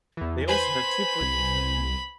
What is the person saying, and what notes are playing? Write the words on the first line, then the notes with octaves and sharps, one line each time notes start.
They also have two point discrimination.
E2 E3
B4 C5 G#5 B5
C2